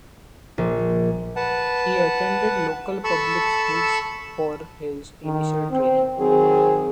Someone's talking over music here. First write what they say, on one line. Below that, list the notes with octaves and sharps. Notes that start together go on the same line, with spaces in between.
He attended local public schools for his initial training.
A#1
B4 F#5 A5
A4 A5 B5 C#6 E6
D#3
C4
D#3 F#3 C4 G#4